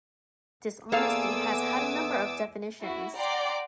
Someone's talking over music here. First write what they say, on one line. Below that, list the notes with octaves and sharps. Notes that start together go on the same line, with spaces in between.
Dishonesty has had a number of definitions.
E2 A#3 B3 A4 F5 G#5 D6 E6
E4 F#4
D5 F#5 G5 A#5 C6 D6